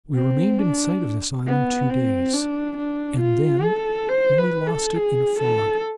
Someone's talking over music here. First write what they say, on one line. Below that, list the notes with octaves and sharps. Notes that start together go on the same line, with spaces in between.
We remained in sight of this island two days, and then only lost it in a fog.
C4
D4
B3
C4
D4
D4
F4
A4
C5
B4
A4
G#4
A4